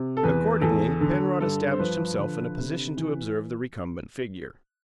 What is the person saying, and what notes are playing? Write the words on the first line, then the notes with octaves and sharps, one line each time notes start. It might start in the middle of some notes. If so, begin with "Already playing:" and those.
Accordingly, Penrod established himself in a position to observe the recumbent figure.
Already playing: C3
A4
E2 B4
E2 A4
D3 A4
G2 A4
C5
F3 B4
D3
C3
E3